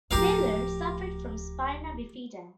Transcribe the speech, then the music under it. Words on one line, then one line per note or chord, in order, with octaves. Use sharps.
Miller suffered from spina bifida.
D1 F3 G4 A#4 F5